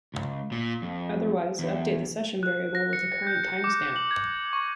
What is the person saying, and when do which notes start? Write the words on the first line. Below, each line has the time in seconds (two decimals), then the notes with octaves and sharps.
Otherwise, update the session variable with the current timestamp.
0.14 C#2
0.52 A#2
0.82 F2
1.59 E2
2.43 F#6
2.75 A#6
2.93 C#7
3.27 G6
3.43 C#7
3.64 D6
3.96 F#7
4.11 G#6
4.53 C#6